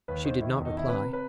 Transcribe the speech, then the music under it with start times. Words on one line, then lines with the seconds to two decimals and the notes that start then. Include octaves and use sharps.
She did not reply.
0.08 D#2 B4
0.24 D#3 C5
0.41 D#3 E4
0.57 E2
0.65 D#4
0.72 D#3 E4
0.89 C3 B4
1.13 B4